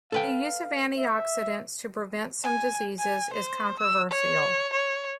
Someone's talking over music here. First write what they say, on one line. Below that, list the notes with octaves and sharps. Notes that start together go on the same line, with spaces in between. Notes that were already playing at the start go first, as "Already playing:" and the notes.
The use of antioxidants to prevent some diseases is controversial.
A4 B4 F5 G5
E5
G#5
G#5
C5
E6
C#5
C#5